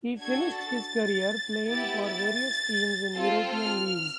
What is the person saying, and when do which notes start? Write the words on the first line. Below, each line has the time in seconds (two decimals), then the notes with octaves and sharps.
He finished his career playing for various teams in European leagues.
0.19 D4 F#4 A4 G#6
0.57 A6
1.68 B3 E4 G4 A6
2.05 A6
3.16 C4 F4 A4
3.53 F6